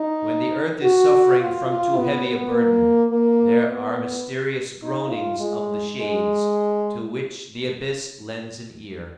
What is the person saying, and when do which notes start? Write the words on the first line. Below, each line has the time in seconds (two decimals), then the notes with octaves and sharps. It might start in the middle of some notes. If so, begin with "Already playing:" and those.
When the earth is suffering from too heavy a burden, there are mysterious groanings of the shades, to which the abyss lends an ear.
Already playing: D#4
0.83 F#4
1.40 F4
1.68 F4
1.97 B3
2.26 B3
2.54 A#3
3.11 A#3
3.69 B3
4.83 D#4
5.12 F4
5.40 G#3
5.97 G#3